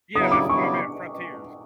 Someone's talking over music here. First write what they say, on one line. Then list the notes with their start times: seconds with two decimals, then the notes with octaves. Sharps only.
Yeah, that's what I meant, frontiers.
0.15 C#3 F#3 B3 E4 D#6
0.32 D6
0.49 C#3 F#3 B3 E4 C#6